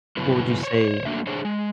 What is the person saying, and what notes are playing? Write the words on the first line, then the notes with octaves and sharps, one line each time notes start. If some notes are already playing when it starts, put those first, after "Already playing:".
What would you say
G2 C#3 F#3 B3 E4 B4
C5 C#5
F#3 A3 A#3 D4 E5
D4 G#4 C5 C#5
G#3